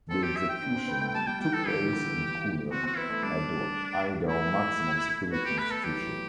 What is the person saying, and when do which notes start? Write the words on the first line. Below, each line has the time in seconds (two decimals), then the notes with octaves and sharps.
The executions took place in Kuna at the Idaho Maximum Security Institution.
0.10 C4 A4
0.23 G4
0.36 E5
0.49 G5
0.63 D4
0.75 C4
0.88 B3
1.01 A3
1.08 G5
1.15 G3 A5
1.27 G3 G5
1.40 G3 G5
1.54 E3 A4
1.66 D3 G4
1.80 E3
1.93 D3
2.06 E3
2.71 C4 F#4
2.84 C4 F#4
2.97 B3 E4
3.10 A3
3.23 G3 D4
4.28 A3 E4
5.32 B3 F#4
5.45 A3 G4
5.58 B4
5.71 A4
5.84 F#3 G4
6.01 E3